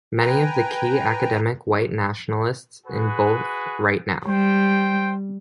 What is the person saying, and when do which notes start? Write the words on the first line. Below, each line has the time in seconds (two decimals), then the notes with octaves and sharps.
Many of the key academic white nationalists in both Right Now!
0.20 B4 G5 G#5 A#5
2.85 F#4 G#4 B4
4.26 G3 C5 G5